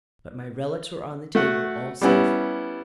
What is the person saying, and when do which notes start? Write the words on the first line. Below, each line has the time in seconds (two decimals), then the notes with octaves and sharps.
But my relics were on the table, all safe.
1.35 A3 F#4 F#5
2.01 G3 B3 C#4 E4